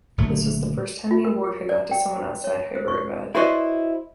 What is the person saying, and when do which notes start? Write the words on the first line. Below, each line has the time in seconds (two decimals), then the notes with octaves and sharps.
This was the first time the award had gone to someone outside Hyderabad.
0.18 F#1 A#2 D3 A3
1.11 F4
1.25 A#4
1.44 G4
1.69 D5
1.91 G5
2.44 C#5
2.75 C5
2.88 C#6
3.35 E4 F#4 B4 C5 D5 D#5